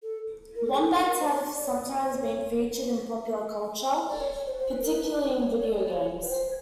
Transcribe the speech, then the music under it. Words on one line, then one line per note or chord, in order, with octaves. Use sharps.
Wombats have sometimes been featured in popular culture, particularly in video games.
A4
A#4
A4
G#4
A4
A#4
C5
C#5
D5
C#5
D5
C5
C#5
D5
C#5
C#5
C5
C5
B4
A#4
B4
C5
C#5
C#5
D5
C#5
D5
C#5
B4
C5